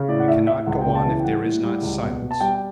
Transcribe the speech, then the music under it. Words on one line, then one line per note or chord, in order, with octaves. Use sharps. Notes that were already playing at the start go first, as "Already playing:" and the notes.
We cannot go on if there is not silence.
Already playing: C#3
A2 D5
F#5
A2 E5
A2 E5
C#2 F#5
C#3 G5
A5
E3
G5
G3 F#5
A2
G3
C#2
B2
B2
A5
G3 G5
G5